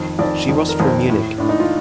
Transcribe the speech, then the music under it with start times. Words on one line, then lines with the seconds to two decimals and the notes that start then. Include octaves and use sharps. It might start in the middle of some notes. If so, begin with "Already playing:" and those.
She was from Munich.
Already playing: F2 D#3
0.19 F2 D#3 D5
0.49 F2 D#3
0.69 A#4
0.79 F2 D#3 C5
1.09 A2
1.38 A2 D4
1.49 D#4
1.60 F4